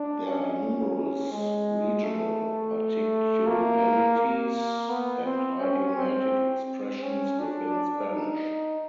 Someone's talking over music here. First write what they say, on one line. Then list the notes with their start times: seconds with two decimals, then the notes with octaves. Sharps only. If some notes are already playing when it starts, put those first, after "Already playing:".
There are numerous regional particularities and idiomatic expressions within Spanish.
Already playing: D4
0.25 C#4
1.31 G#3
2.04 A3
3.47 A#3
4.18 A#3
4.90 B3
5.24 C4
5.61 C#4
5.96 C4
6.67 C4
7.03 C#4
7.39 D4
8.11 D#4